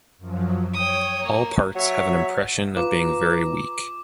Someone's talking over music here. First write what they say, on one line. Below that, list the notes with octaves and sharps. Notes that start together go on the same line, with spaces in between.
All parts have an impression of being very weak...
F#2 F3 F#3
C#5 G5 D#6
A#3
F#3 C#5 E5
F4 B4 A#5 D6